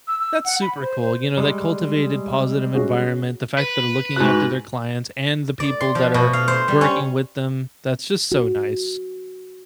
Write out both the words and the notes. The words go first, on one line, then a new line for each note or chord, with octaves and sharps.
That's super cool. You know, that cultivated positive environment, the fact that are looking after their clients and the people that are working with them. That's just so nice.
E6
E6
F#5
B5
C5
C5
G3 G#3
C#4 F#4 G#4
B4
G#2 F#4 F#6
D5
C6
F3
B2
F5
C5
G3
C#4
F#4